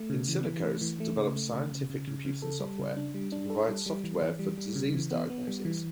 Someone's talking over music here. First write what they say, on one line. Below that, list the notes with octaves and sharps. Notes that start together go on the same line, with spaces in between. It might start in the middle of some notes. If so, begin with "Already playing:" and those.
Insilicos develops scientific computing software to provide software for disease diagnoses.
Already playing: A3
C#3
E3
E3
A3
E3
A3
C#3
A3
C#3
C#3
C#3
C#3
C#3
A4
G3
C#3
D4
G3
D4
A4
G3
G3
E3
E3
G3
G3
C#3
E3
B3
B3
G3
E3